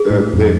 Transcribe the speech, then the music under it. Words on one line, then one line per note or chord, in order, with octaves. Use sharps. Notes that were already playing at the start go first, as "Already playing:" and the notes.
uh they
Already playing: G#4
A2
F2